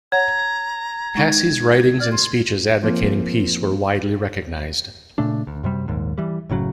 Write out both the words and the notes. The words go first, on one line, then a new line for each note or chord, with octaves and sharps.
Passy's writings and speeches advocating peace were widely recognized.
C#5 F#5 A#5 G#6
G#3 D#4
D5 F6
C6
F3 A#3 C4
A#2 C#3 A3 D4
D2
F#2 C3 G3
A#1 D#2 G#2
E3 G3
F#1 A2 C#3 F#3